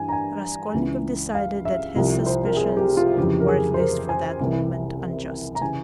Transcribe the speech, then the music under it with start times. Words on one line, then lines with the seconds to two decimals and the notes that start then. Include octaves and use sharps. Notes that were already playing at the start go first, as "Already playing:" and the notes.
Raskolnikov decided that his suspicions were at least for that moment unjust.
Already playing: G2 E3 G#5
0.08 A#5
0.12 G#5
0.74 C#2 C#3 E3
1.35 F5
1.65 E5
1.96 C2 C3 F3
2.26 C5
2.45 A#4
2.57 G#4
2.77 G4
2.97 F4
3.17 F2 C#3 E3 G4
3.40 A#4
3.48 G#4
3.74 C5
3.79 A#4
4.09 G#5
4.40 C2 C3 E3
5.55 A#5
5.61 C#3 E3 G#5